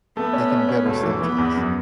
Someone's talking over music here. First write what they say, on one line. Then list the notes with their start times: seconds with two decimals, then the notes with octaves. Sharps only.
they can better sell to us.
0.16 A3 B3
0.33 C#4
0.51 C#4
0.69 C#4
0.86 E1 A3
1.03 E3
1.21 E3 B3
1.38 E2
1.56 F#2